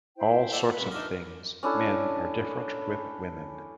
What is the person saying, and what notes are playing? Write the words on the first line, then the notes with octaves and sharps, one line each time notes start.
All sorts of things... Men are different with women.
E4 C5 G5
A4 D5 F#5
B4
C2 F#2
D4 D#4 D#5 E5 F6
C#4 D4 E4 A4